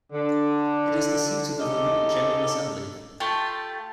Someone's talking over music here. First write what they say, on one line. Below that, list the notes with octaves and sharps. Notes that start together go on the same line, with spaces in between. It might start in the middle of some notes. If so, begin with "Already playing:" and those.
It is the seat of the Vermont General Assembly.
D3
C#3 D#4 G4 A4 D#5
A3 F4 G4 A5